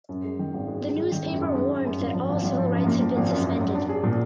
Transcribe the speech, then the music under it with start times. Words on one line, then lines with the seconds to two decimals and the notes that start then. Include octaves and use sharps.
The newspaper warned that all civil rights had been suspended.
0.09 F#2
0.24 G#3
0.39 D#3
0.54 G#1
0.68 G#3
0.82 G#3
0.97 G#3
1.12 D#3
1.26 F#2
1.41 F#2
1.55 G#3
1.70 F#2
1.85 F#2
2.00 G#1
2.14 F3
2.29 G#1
2.44 G#1
2.58 F3
2.72 F#2
2.87 A#3
3.01 F3
3.16 G#1
3.31 F#2
3.46 F#2
3.60 F#3
3.75 D4
3.89 G#4
4.03 A#2